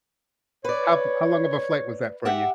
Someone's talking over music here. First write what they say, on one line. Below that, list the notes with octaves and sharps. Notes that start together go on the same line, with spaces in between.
How how long of a flight was that for you?
B4 C#5 D5
G4 E5 F#5